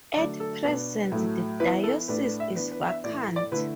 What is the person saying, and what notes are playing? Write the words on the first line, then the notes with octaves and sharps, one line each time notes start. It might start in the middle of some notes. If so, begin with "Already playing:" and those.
At present the diocese is vacant.
D3 F#3 A3 D4 D5
A4
B2 B3 D4
A2 F#3 A3
E3 B3 E4 B4
A4
A2 A3 D4 B4
B4
E5
E3 B3 D4 B4
B4
E5
A2 E3 A3 E4 D5
D5
D3 A3 E4 B4